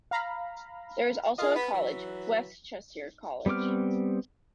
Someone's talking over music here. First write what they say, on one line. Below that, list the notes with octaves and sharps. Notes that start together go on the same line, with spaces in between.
There is also a college, West Cheshire College.
F5 A#5 B5
F4 G#4 A#4 D#5 F5
B3 B6
E3 F#3
G3 B3 C4 D6 F6